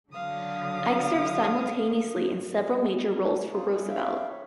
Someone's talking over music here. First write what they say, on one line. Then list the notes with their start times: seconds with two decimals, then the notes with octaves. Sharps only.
Ickes served simultaneously in several major roles for Roosevelt.
0.12 D3 F#3 F5 D#6
3.53 C#4 D#4 F4 G#4 C5
3.72 B3 E4 G#4 F#5
3.89 E5 F5 G5
4.28 C#5